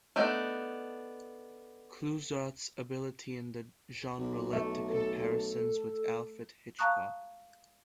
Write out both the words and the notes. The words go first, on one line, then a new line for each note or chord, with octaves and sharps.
Clouzot's ability in the genre led to comparisons with Alfred Hitchcock.
A3 B3 D4 D#4
B1
A3
A4
F5 A5 A#5 C#6 D#6 F#6